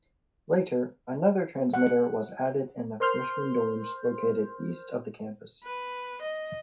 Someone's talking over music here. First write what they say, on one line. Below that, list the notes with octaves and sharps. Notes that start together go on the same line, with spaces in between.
Later, another transmitter was added in the freshman dorms located east of the campus.
F#5
A#4 C5 C6 F6 G6
B4
D#5